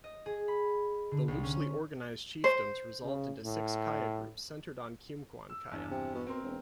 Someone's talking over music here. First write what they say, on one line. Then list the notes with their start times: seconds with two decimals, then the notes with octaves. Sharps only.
The loosely organized chiefdoms resolved into six Gaya groups, centered on Geumgwan Gaya.
0.04 D#5
0.26 G#4
0.48 B5
1.11 D3
1.28 C2
1.44 C#4
2.44 C5
3.03 C#3
3.43 A2
5.50 E6
5.72 E2 G2
5.90 C3
6.15 B2
6.27 B2 C4 A#4 C6
6.43 E1